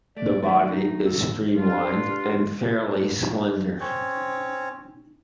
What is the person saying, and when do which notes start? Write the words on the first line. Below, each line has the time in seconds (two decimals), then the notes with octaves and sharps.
The body is streamlined and fairly slender.
0.17 A3 D5
0.43 D#3 F#3 A3 D5
0.72 D#4
1.05 A4
1.57 G2 D4 F4
3.81 C4 C#4 C#5